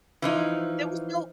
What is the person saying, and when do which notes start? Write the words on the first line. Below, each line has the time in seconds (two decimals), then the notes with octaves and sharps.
there was no"
0.22 E3 F3 D#4